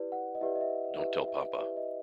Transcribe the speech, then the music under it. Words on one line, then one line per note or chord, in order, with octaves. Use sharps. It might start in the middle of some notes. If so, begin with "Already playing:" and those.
Don’t tell papa.
Already playing: E4 G4 B4 D5
F#5
D#5
E4 G4 B4 D5 E5
D#5
E5
E4 G4 B4 D5 E5
E5
E4 G4 B4 D5 E5
D#5